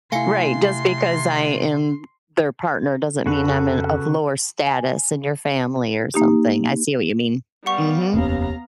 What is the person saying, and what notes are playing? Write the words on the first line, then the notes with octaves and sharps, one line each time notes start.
Right, just because I am their partner doesn't mean I'm in of lower status in your family or something, I see what you mean. Mhm.
C3 A3 E4 F5 G#5 C6 C#7
F2 C#3 F#4 A4 B4
G#5
A#3 D#4 G4
G3 B3 F5 F#5 C#6
F1 D#2 B2 B3 C#4 F5 A#5